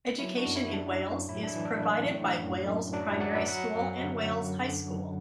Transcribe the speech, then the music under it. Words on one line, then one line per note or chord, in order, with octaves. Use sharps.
Education in Wales is provided by Wales Primary School and Wales High School.
F#3 E4
D4 F#4
F#2
E4
F#2 D4
F#3
A2 E4
D4
E4
E3
D4
A2
A2
F#2
F#2
F#3 D4
E4
F#3 D5 F#5
B4 E5
F#3 F#5 B5
F#2
D3
F#2
D3
F#3